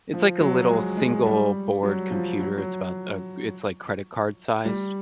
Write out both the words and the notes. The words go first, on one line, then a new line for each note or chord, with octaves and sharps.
It's, like, a little single board computer, it's about a it's, like, credit card sized,
F3
F#3
G#3
G#3
G3
F#3
F3
F#3
F#3
G3